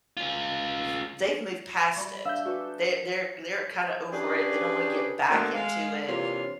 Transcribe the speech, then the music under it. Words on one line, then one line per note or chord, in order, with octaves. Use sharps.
th they've moved past it. They they're they're kinda over it, they don't wanna get back into it,
C#4 F4
G3 D5 B5 C#6
D4 E5 F5 E6 G6
F#4 G#4 A4 B4 D5
C#4 D4 G4 G#4 B4 D5
B2 A3 A#3 C4 D4 F#5
G#3 F5
C3 E3 A#3 D4 F4 C#5